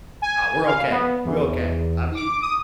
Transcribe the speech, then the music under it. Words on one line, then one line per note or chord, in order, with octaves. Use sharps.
Oh, we're okay. We're okay. I mean
G#5
F5
B3
E2
D6
D#6